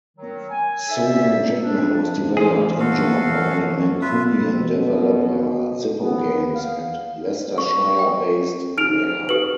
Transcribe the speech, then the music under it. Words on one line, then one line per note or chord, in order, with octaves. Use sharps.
"Solar Jetman" was developed in-joint by Mancunian developer Zippo Games and Leicestershire-based Rare.
D#3 F#3
G#5
D#4 A4 C5 D5 E5
D4
E3 G#4 C5
F#4 A4 F5
F4 B4 E5
B2
B3
F5
C#6
G5
D#4 F6 D7 F7
G4 A4 B4 F#7